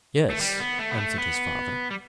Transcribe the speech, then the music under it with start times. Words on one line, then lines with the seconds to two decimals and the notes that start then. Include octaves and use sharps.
"Yes," answered his father.
0.30 A3
0.41 G3
0.60 B3
0.79 A3
0.91 B3
0.98 A3
1.18 B3
1.91 G3